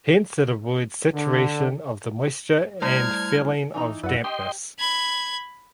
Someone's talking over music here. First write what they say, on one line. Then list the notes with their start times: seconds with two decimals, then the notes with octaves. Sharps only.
Hence it avoids saturation of the moisture and feeling of dampness.
1.14 D3
2.82 G3 A3 E4 F6 G#6
3.74 E3 D#4 A#5
4.03 F#2 E4 B4 D5 F#5
4.24 G4 D#5 G5 C6
4.78 B5 G#6